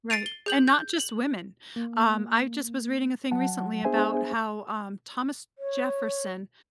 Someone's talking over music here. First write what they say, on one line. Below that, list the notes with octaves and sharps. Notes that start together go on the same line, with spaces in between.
Right, and not just women. Um, I just was reading a thing recently about how, um, Thomas Jefferson
A6 C7 D7 D#7 F7
G7
G#4 G6 F#7
G6
F#7
A#3
F#3 F#5 A5
B3 D4 G#4 C5 E5 G#5
C#5